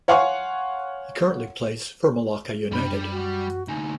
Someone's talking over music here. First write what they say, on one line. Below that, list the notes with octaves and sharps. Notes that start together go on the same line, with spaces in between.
He currently plays for Melaka United.
C#5 F5 F#5 G#5 C6 C#6
F#2 G3 D4 B5
F#4
D2 D#4 G#5